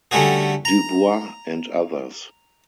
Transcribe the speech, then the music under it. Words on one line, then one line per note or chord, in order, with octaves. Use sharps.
Du Bois and others.
D3 G3 A3 C#4 F#4 G#4
A#5